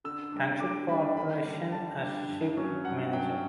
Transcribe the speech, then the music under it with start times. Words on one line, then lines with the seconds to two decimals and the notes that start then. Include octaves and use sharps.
Tank Ship Corporation as ship manager.
0.04 D3 E6
0.32 G3 D4
0.60 D3 D6
0.88 G3 D4 B5
1.17 D3 B5
1.45 G3 D4
1.72 D3 A5
2.01 G3 D4
2.28 G2
2.57 F#3 C#4
2.84 G2 F#5
3.12 F#3 C#4 G5